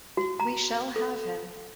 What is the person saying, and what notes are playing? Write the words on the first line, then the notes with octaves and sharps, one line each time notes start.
We shall have him.
F#4
A#5
A4